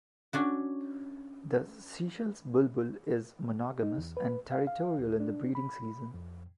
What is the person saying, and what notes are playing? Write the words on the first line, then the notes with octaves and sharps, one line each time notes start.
The Seychelles bulbul is monogamous and territorial in the breeding season.
C#4 D4 F#4
D#4
E2
B4
F5
F5
D2
D4
B5
F2